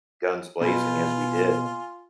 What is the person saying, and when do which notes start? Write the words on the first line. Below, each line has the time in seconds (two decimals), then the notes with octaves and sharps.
guns blazing as we did,
0.61 B2 F4 B4 G#5